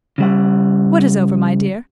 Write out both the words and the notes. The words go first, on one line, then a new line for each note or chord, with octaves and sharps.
"What is over, my dear?"
C#3 G3 F#5